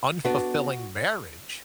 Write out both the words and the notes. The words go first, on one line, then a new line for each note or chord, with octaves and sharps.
unfulfilling marriage
B3 D4 F#4